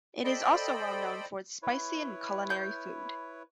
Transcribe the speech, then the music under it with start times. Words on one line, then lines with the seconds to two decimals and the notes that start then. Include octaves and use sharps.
It is also well known for its spicy and culinary food.
0.24 A4 C5 D5 D#5 G5 B5
1.63 E4 B4 C#5
2.50 G6